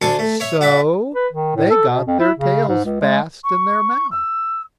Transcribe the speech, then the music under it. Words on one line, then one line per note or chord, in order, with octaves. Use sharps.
So they got their tails fast in their mouths.
D2 D4 A4 G#5 C6 C#6
A3
C#5 E5
F#4 D5 E5
B4
D#3
A2
A4
B2
F2
E4
C#3
G#2
C#2
G#3
C#6
E6